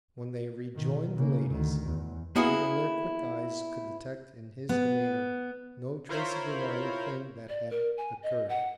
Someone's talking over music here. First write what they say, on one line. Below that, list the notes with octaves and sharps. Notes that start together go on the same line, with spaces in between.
When they rejoined the ladies, even their quick eyes could detect in his demeanour no trace of the annoying thing that had occurred.
B2 D#3
C#3 A#3
D2 D#3
E2
A#3 B3 E4 F#4 G#4
B3
E4 F4 A#4 C5 C#5 B5
D5
A#4
G#5
D#5
F#5